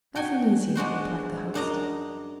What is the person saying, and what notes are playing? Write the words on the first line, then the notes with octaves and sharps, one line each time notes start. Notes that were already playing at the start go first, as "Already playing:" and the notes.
"Nothing easier," replied the host.
F#4 G5 G#5
G#3 D4 F#4 C5
F#2 D4 D#5 A#5